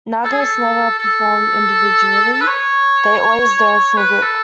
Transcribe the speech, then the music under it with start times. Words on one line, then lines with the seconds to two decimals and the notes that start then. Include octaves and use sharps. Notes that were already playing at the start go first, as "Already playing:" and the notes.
Nagas never perform individually, they always dance in a group.
0.24 A4
0.32 G#4
0.40 A4
0.99 A4
2.33 A4
2.41 B4
2.48 C#5
3.97 B4
4.22 A4